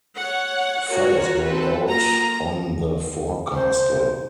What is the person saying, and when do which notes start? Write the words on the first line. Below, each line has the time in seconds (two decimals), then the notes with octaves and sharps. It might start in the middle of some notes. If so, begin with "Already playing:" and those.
Fires broke out on the forecastle.
0.18 C#5 F#5
0.88 F4 F#4 A#4 C#5
1.45 C4 A4 B4
1.84 A#3 F4 A#5
3.54 C5